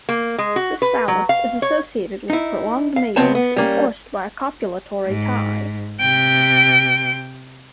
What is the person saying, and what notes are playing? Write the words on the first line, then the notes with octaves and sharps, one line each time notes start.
This phallus is associated with prolonged matings enforced by a copulatory tie.
A#3
G#3
F#4
B4
F#3
F5
C#5
D#4 E4
F5
C#2 B3 C4 C#5 A5
B3
G3 A#3 C#4
G#2
C3 G5